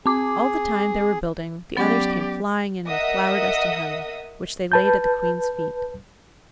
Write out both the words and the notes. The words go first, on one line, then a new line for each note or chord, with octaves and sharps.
All the time they were building, the others came flying in with flower-dust and honey, which they laid at the Queen's feet.
C4 G#4 D6
F#3 B3 C#4 G4 D5
A#4 D#5 E5 F#5 D#6
B4 A5 G6